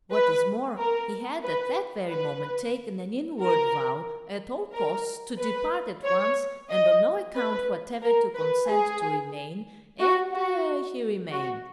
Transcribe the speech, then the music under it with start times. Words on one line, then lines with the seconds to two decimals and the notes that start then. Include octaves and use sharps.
What is more, he had at that very moment taken an inward vow at all costs to depart at once and on no account whatever to consent to remain, and ... he remained.
0.12 B4
0.78 A#4
1.43 B4
2.09 B4
3.41 A#4
4.73 A#4
5.39 B4
6.04 C#5
6.70 D#5
7.36 B4
8.02 A#4
8.35 B4
8.68 G#4
9.99 F#4
10.33 F#4
11.32 F#4